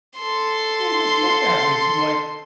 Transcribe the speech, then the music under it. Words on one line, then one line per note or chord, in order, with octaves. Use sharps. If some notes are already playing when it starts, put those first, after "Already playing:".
Yeah, he just looked at me from, like,
A4 C6